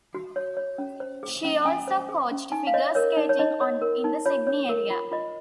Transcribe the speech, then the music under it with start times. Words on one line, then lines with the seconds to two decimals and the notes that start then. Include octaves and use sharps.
She also coached figure skating in the Sydney area.
0.14 F#4
0.36 C#5
0.57 C#5
0.78 C#4
1.00 C5
1.23 G#4
1.44 C#4
1.65 C#4 G#5
1.88 C5
2.09 G#4
2.31 C#4
2.52 D#4 G#5
2.67 F5
2.74 C#5 D#5
2.95 A#4 C#5
3.17 D#4
3.29 C#5
3.39 D#4 D#5
3.61 C#5
3.82 A#4
4.04 D#4
4.26 F4 C#5
4.47 C#5
4.69 A#4
4.90 F4
5.11 F4 D#5